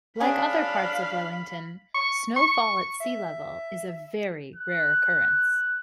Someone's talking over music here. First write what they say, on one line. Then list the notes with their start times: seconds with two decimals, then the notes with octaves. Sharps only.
Like other parts of Wellington, snowfall at sea level is a very rare occurrence.
0.20 C#4 D4 G#4 F5 B5
1.95 C#6
2.36 C#6
3.01 E5
4.56 F#6